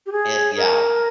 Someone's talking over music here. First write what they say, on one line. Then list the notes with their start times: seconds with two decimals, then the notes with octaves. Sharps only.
it yeah.
0.06 G4
0.12 G#4
0.56 A#4